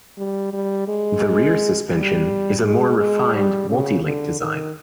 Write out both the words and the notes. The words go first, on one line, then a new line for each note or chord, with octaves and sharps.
The rear suspension is a more refined Multi-link design.
G3
G3
G#3
G3
G#3
G#3
G3
C#3
D3
D#3